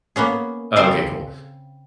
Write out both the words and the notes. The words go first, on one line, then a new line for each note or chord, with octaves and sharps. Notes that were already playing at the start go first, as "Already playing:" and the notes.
Oh okay, cool.
A#3 B3 C#4 G#4
C#3 C4 C5 F5 A5